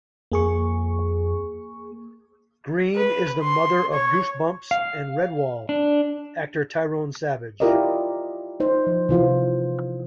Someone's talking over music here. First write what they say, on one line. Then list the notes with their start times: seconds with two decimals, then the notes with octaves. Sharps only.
Green is the mother of "Goosebumps" and "Redwall" actor Tyrone Savage.
0.32 F2 A#3 G#4 C#6
2.95 B4
3.43 C6
3.94 C#5
4.71 F5
5.69 D4
7.60 E4 F4 G4 A#4 D5 D#5
8.60 D#4 C5
8.87 F3
9.09 C3 E3 F4 C5